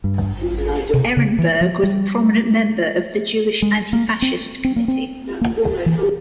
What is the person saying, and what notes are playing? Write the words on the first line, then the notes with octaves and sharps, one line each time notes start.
Ehrenburg was a prominent member of the Jewish Anti-Fascist Committee.
G2
C3
C#3
E3
F3
G3
G#3
A#3
C4
C4
A#3
C4
A#3
E3